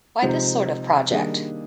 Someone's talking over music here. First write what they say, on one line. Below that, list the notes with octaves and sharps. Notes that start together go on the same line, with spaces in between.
Why this sort of project?
C3 F3 G#3 C4 D#4
D#3 G3 A#3 D4 G#4